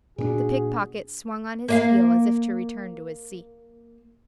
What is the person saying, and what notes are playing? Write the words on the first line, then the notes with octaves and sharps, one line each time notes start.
The pickpocket swung on his heel as if to return to his seat.
A#2 C4 D4 F#4 G#4
A#3 D#5 F5